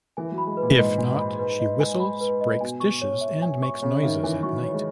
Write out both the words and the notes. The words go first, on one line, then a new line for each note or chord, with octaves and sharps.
If not, she whistles, breaks dishes, and makes noises at night.
E3 G#5
F#3
B5
G#3
B4
A#2
G#2 D#5
G#5
B5
B4
D#5
G#5
B5
B4
D#5
B2 G#5
C#6
C#5
E5
G#5
C#6
C#3 C#5
D#3 E5
E3 G#5
F#3 C#6
C#5
G#3